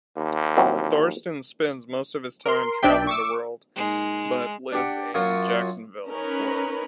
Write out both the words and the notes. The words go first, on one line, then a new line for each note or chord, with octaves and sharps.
Thorsten spends most of his time traveling the world, but lives in Jacksonville, Florida.
D#2
E3 F#3 C4
A#4 C6
B1 D4 D5 E5 G5
C#6 D6 E6
A#2 G#3 D#4
D4 G4 F#5
F#2 F4 F#4 C#5
C#4 D#4 A#4 B4